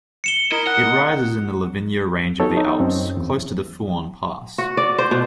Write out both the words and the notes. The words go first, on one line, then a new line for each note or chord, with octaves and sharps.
It rises in the Livigno Range of the Alps, close to the Fuorn Pass.
C#7 E7 G7
E4 A#4 D#5
F#5 F#6
B3 D#4 F#4 G4 A4 C#5
D#4
F#2 C4 C#4
E2
F#4
D5
C5
B2